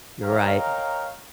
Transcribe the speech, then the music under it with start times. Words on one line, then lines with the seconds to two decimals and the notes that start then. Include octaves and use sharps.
You're right,
0.23 A#4 C#5 D#5 F5 G5 A#5